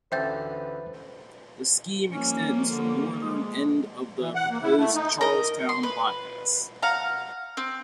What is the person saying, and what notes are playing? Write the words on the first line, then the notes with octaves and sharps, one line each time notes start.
The scheme extends from northern end of the proposed Charlestown bypass.
A1 D2 B4 C5 E5 G5 G6 A6
F3 G3 A#3 C#4
D3
G#3
E3
F#5
A#3
E4
A3
D#4
A#4 D#5
C6
B4
F5 F#5 A#5
C4